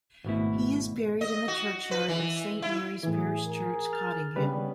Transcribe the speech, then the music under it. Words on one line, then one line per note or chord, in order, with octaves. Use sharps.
He is buried in the churchyard of Saint Mary's parish church, Cottingham.
G#1 B2 A3 E4
D#5
F#4
B4
E3
E4
A2 E3 E4 G#4
G#4 A#4
F6 A6
C#3 G3 B3 C#4 D4 B4